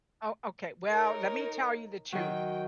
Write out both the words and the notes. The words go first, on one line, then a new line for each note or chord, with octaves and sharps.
Oh, okay. Well, let me tell you the truth.
D#4 A#4 C#5
D#3 F#3 G5